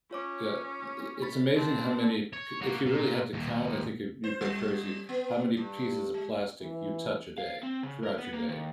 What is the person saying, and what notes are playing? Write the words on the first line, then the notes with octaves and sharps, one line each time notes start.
uh, i it's amazing how many pe if you really had to count, I think you'd you'd go crazy, how many pieces of plastic you touch a day, throughout your day.
C#4 F4 C#5 D6
B5 A6
C4 D4
C#5
A#3 F#4
A#2
D#2 A#2
C5
G3
B3
G2
G#3
E3
F5
C4
C#3
A#4
B3
A#3
D#2